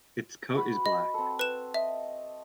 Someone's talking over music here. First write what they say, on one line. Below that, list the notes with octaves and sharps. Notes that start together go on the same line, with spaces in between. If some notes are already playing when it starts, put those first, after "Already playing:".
Its coat is black.
F#4 B4 B5
D#5
C4 A4
B4 E7
D#5 E5